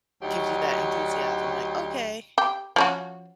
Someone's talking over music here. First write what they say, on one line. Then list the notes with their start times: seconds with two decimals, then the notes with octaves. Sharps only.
gives you that enthusiasm, like, "Okay,
0.22 D2 F#3 D#4 G4
2.38 G4
2.76 F3 C#4 F#4